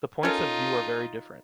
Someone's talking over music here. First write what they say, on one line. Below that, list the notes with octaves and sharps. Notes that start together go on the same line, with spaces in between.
The points of view are very different.
C#4 D#4 F4 A4 A#4